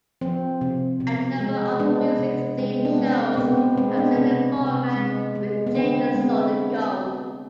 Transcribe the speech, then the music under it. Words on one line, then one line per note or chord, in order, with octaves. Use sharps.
A number of music themed shows have a similar format with Jade Solid Gold.
F3 C4
C3
B2
G#3
G#3 B3 D4
C3
G#3 C4
B3 D4
G#3
C4
C4
B2 B3
B3
G#3 C4
B3 D4
C3 B3
C3
G#3
G#3
B3
D3 C4
C4
G#3 B3